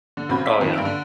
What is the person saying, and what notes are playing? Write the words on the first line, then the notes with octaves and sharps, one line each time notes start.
Oh, yeah.
D3
B1 C#3 C4 F#4 B5 G6
F5 E6 B6
F2 A2 D#3 F3
G2 E6 D7
D3